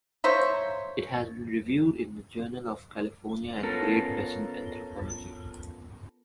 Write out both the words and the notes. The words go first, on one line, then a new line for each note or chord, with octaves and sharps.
It has been reviewed in the Journal of California and Great Basin Anthropology.
A#3 C5 C#5 E5
B3 C#4 F4 A4 A#4